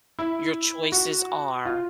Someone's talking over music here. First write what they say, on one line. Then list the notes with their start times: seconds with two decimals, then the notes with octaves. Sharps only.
your choices are
0.19 E4
0.92 F#4
1.65 F4